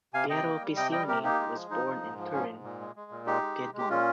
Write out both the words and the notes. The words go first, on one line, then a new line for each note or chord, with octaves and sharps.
Piero Piccioni was born in Turin, Piedmont.
C3 F5 G#5
C3 D#5 G5
A#3
G3
C3 D#5 G5
G3 D#5 G5
C3 G4 A#4
A#3 D#4 G4
G#3
F3
F3 D#4
F3
G#2
F3
G#2 C#4
G#2
A#2
G#3
G#3
A#2
G#3 D#4 G4
G#3
G#3
G#3 G4
A#2 C#4 F4